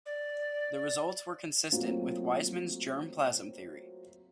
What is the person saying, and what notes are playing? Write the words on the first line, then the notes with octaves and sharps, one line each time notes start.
The results were consistent with Weismann's germ plasm theory.
D5
F#3 A3 A#3 C4 F4 F#4